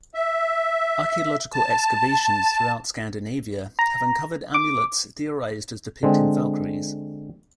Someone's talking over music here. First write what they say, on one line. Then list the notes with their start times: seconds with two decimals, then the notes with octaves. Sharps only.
Archaeological excavations throughout Scandinavia have uncovered amulets theorized as depicting valkyries.
0.14 E5
1.53 A5
3.79 A#5
4.54 D6
6.03 D3 G#3 C4